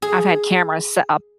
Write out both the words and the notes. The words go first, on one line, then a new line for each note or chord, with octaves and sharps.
I've had cameras set up
G#4